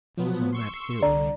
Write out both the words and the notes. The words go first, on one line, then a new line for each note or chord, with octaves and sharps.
"I was on that hill."
F3 F#3 B3
C6 C#6 E6
C2 D3 D5 A#5